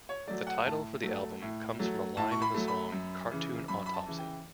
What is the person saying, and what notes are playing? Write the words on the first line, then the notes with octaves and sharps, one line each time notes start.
The title for the album comes from a line in the song "Cartoon Autopsy".
C#5
F#3 A3 D5
F#5
A2 A5
F#3 A3
A2
F#3 A3
A2 A5
C#6
B5
F#3 A3
B5
F#2
C#3 E3
F#2 B5
B5
A5
C#3 E3
G5